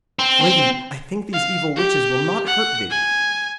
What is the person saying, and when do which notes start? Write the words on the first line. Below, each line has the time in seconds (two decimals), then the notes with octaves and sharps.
'Lady, I think these evil witches will not hurt thee.
0.19 C4
0.41 C4
1.33 F5
1.76 G4
2.47 F#5
2.90 G#5